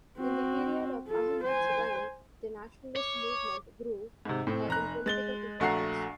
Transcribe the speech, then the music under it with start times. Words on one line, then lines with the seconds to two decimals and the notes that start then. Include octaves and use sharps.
In the period of Ahmad's reign, the nationalist movement grew in political importance.
0.18 C4 F#4
1.08 F4 A4
1.44 C5 G#5
2.96 C#5 D6
4.25 G#2 C3
4.47 A2 C4
4.68 F1 A#5 F#6
5.06 G#3 A6 G7
5.60 A#1 A3 F#4 F#5 A#5 C7